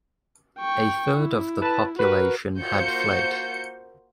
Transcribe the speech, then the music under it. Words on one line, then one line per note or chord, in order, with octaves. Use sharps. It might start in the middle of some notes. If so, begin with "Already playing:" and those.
A third of the population had fled.
G5 C#6
E4
B4 A5
F#4 A#4 B4
A#3 F4 F#4 C5 G6 C#7